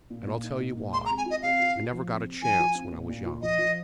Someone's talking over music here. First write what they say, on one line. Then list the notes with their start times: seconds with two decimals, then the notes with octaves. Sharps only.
And I'll tell you why; I never got a chance when I was young.
0.10 A#2
0.27 A#2
0.43 D#4
0.60 A#2
0.77 A#3
0.93 G#3 C6
1.06 A#5
1.10 C3
1.18 G#5
1.26 F4 D#5
1.42 C3 F5
1.60 F4
1.77 F4
1.93 F3
2.09 C4
2.26 C3
2.42 F3 G#5
2.59 F4
2.75 C4
2.92 A#2
3.09 A#2
3.26 F4
3.42 F3 D#5
3.58 F3